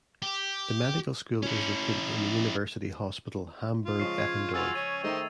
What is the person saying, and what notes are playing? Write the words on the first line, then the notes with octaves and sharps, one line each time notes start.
The medical school is located in the University Hospital Hamburg-Eppendorf.
G4
C#4 E4
F4
C#3 F3 G#3 C#6 C7
G#6
F4 F#4 G#4 E6 A6 F7
C#4 D#7
D#3 A3 G#4 C5 D#5 G5